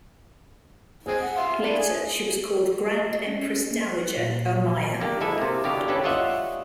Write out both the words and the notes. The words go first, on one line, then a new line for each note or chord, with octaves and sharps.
Later, she was called Grand Empress Dowager Omiya.
G#3 C4 G#4
F#5
E5 F5 C6
D4 E4
G#4
D#5
C#4
A#3
F#6
A#2
D3 A#3 G4
G#1 G#3 E4 A4 G#5
C3 A#3
E2 B2 D3 G4 F5
C#4 D4 G4 A4 B4
G3 F4 C#5 D#5 E5 F#5